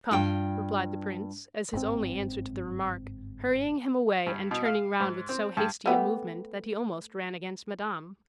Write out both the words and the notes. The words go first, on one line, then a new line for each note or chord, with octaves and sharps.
"Come," replied the prince, as his only answer to the remark, hurrying him away, and turning round with so hasty a movement that he almost ran against Madame.
G2 F4 G5
G1 G#2 C4
G2
B2
F5
G#2
C4
G2
A3 B3 G4